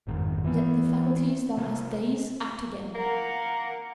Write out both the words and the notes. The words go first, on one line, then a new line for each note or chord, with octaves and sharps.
Let the faculties thou hast dazed, act again.
G1 F2 G#2 D#3
E3 B3
C3 G#3 A#3
A#3 A#4 F#5 A#5